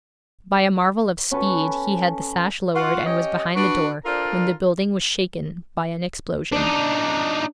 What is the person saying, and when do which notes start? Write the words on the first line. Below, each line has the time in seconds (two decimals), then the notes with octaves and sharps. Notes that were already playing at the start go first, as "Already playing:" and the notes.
By a marvel of speed he had the sash lowered, and was behind the door, when the building was shaken by an explosion.
1.31 C#4 A4 B4
2.74 F4 F#4 F#5
3.06 C#4 G4 C#5 D#5
3.55 D4 F#4 B4
4.05 D4 F4 A4 A#4 C5 D5
6.53 D4 D#4